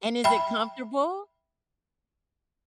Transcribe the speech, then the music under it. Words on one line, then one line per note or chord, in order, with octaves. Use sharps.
And is it comfortable?
E5 G5 B5